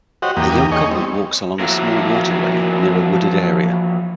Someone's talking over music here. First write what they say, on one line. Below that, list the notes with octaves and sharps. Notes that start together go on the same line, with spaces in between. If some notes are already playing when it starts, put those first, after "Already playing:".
A young couple walks along a small waterway near a wooded area.
F#4 G4 C5 C#5 D#5 F#5
E2 A#3 G4 D#6
D#4 G#4 C#5 D#5 C#6
G3 C4
F3 F#3 A#3 E4 A#4